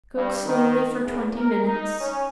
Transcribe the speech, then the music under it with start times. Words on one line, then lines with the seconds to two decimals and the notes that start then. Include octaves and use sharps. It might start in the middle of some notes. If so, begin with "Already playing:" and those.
Cook slowly for twenty minutes.
0.16 G2
0.45 D#3
1.01 E2
1.37 A#4
1.65 D#4
2.00 C#4